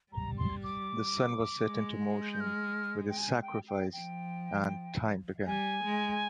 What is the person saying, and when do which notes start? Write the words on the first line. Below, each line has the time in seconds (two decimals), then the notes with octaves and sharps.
The sun was set into motion with his sacrifice and time began.
0.12 G3 A#5
0.38 C6
0.64 D6
1.65 G#3
2.33 G6
2.40 F6
3.10 G5
3.17 G#5
3.42 G5
3.68 G5
3.93 F3 G5
5.46 G3 G#5
5.84 G#3